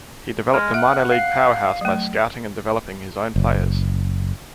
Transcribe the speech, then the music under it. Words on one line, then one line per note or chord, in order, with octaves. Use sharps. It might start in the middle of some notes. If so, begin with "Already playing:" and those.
He developed a minor league powerhouse by scouting and developing his own players.
G#3 F6
E5 F#5
F5 C7
F#3 A3
F#1